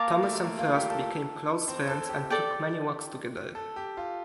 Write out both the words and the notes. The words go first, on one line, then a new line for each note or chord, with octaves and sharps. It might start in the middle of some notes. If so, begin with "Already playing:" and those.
Thomas and Frost became close friends and took many walks together.
Already playing: A#3 A#4 F5 A5 D6
A3
A#3
F4
G4
A4
C4
A4
G4
A4 D5 G5
A4
G4
F4